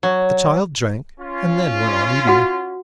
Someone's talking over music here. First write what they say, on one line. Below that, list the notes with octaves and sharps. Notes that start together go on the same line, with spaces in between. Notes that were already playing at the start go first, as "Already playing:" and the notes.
The child drank, and then went on eating.
F#3
C#4 F4
F#4 F#5